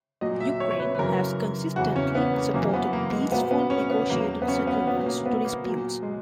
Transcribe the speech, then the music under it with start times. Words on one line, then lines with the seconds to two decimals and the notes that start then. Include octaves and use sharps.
Ukraine has consistently supported peaceful, negotiated settlements to disputes.
0.21 A#2 F#3 D#5
0.40 E5
0.60 C#5
0.71 C#5
0.79 B4
0.95 B4
0.99 F#2 C#3 E3 A#4
1.76 E2 C#3 E3 F#4
1.96 C#4
2.15 B3
2.34 A#3
2.54 F#2 E3 A#3
2.74 B3
2.93 A#3
3.12 G#3
3.31 A#2 F#3 B3
3.51 B3
3.70 C#4
3.90 B3
4.10 E2 B2 F#3 A#3
4.42 B3
4.48 C#4
4.67 B3
4.86 A#2 F#3 B3
5.06 A#3
5.26 B3
5.45 A#3
5.64 A#2 F#3
6.03 G#3